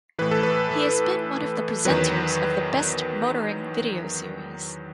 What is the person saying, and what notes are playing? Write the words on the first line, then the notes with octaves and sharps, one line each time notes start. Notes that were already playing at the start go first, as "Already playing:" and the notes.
He has been one of the presenters of the "Best Motoring" video series.
A2 E3 B4
A4
B4
E2 D#3 F#3 B4